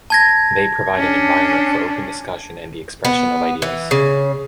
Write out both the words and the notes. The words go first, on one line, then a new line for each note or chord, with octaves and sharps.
They provide an environment for open discussion and the expression of ideas.
A5 G#6 A#6
C#4 D4
B3
E3
C#3